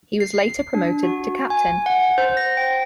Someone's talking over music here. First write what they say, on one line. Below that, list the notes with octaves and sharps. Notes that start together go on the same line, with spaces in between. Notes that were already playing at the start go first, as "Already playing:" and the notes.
He was later promoted to captain.
C7
D4
F#4
G#5
F#5
C5
A#6
G5